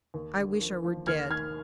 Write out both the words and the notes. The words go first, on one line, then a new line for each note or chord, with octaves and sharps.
I wish I were dead.
D#2
D3
F3
F3
D#2 F6 G#6
D#3 F6 G#6